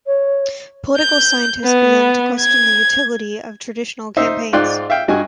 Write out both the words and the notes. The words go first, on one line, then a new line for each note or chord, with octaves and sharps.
Political scientists began to question the utility of traditional campaigns.
C#5
G6
B3
G#6
D#4 C5 D#5 E5 D#6 E6
G#2 F4 D5 G5 C6 F#6
E5 F5 G5
G2 F#4 D#5 F#5 G#5